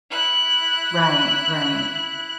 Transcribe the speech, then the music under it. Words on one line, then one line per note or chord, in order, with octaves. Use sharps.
Right, right.
E4 F#6